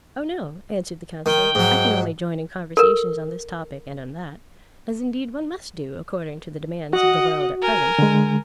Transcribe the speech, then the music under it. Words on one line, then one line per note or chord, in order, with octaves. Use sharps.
"Oh no," answered the Councillor, "I can only join in conversation on this topic and on that, as indeed one must do according to the demands of the world at present."
D#3 G5
G#2 F#3
A4 A#4
F#4 D#5 F#5
A#4 G#5
D3 G#3